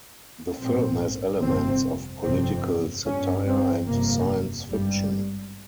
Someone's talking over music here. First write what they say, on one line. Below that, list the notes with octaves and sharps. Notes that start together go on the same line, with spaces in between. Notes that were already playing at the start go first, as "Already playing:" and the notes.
The film has elements of political satire and science fiction.
A#1 G#2 C4
G1 F2 C3 C4
G1 F2 C3 C4
G1 G2 C#4
C4
G1 F2 C3 A#3
G#1 G2 G3